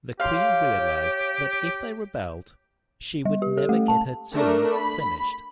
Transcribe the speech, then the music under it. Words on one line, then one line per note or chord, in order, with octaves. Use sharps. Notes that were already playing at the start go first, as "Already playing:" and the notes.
The Queen realized that if they rebelled, she would never get her tomb finished.
G4 C#5 F5 C6
G3
G4
A4
A3
A5
A3 D4 A#4
B5